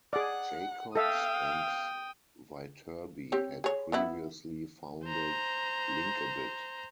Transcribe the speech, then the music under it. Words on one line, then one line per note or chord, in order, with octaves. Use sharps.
Jacobs and Viterbi had previously founded Linkabit.
G#4 D5 F#5
A4 E5 F5 G5 D#6
C4 G4 C#5
G#4 C#5
E3 B3 E4
C5 A#5